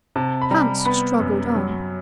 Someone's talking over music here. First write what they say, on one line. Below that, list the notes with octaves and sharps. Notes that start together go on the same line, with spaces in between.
Hans struggled on.
C3 A5
B5
G3 A#5
B3 B5
F#2
F#3